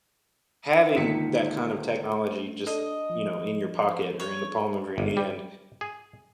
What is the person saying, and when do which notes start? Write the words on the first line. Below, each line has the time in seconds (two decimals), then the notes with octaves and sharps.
having that kind of technology just, you know, in your pocket or in the palm of your hand
0.95 C#2 D3 D#3 A#3 B6 C#7
2.32 A3
2.67 D4 A4 D#5
3.10 F3
4.20 C#5
4.98 G1
5.17 G3
5.81 G#4